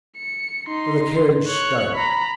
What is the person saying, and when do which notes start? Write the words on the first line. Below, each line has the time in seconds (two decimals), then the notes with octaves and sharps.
The carriage started.
0.17 C#7
0.67 D#4 C6
1.47 C#5 F#6
1.94 A#5 B5